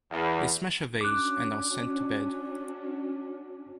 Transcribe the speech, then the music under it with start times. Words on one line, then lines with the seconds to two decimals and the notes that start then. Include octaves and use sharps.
They smash a vase and are sent to bed.
0.11 E2
1.01 C#4 D4 F#4 D6 F#6